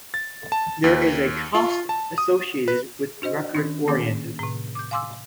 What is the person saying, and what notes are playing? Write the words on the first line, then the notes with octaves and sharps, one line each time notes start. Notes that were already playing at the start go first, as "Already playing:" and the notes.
There is a cost associated with record oriented.
A6
A5
D#2
F4
A5
D#6
B4
D4 F#4 C5 D#5
D#3 C#4 D4
D#3 A#3 C#4 G#4 D6 G6
A2 C3
D6 G6
F5 G#5 C6 D6 E6